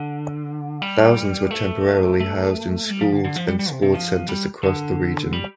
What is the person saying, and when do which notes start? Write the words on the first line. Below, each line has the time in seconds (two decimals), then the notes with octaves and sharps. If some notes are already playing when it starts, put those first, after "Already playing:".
Thousands were temporarily housed in schools and sport centres across the region.
Already playing: D3
0.82 G3
1.51 A3
2.20 A3
2.90 G3
3.01 F3
3.12 D3
3.25 D3
3.36 F3
3.48 G3
3.59 G3
3.71 C3
3.82 C3
3.94 F3
4.29 G3
4.63 D3
5.33 G3